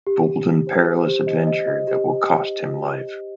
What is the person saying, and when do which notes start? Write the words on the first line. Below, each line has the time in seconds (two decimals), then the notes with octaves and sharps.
Bold and perilous adventure that will cost him life.
0.07 G4
0.27 G4
0.46 G4
0.67 C5
0.87 C5
1.07 G4
1.27 D#5
1.47 D#5
1.67 D#5
1.87 G4